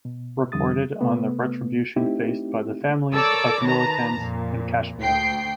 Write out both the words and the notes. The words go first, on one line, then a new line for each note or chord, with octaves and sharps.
Reported on the retribution faced by the Families of Militants in Kashmir.
B2
F2 D3 G3 D#6 A6
C3 A3 B3
A3 C4 D#4 E4 G4
A4 A#4 C#5 D5 D6 E6
D#3 B4 A5 A#5 A#6
F2 A#2
D2 G5 C7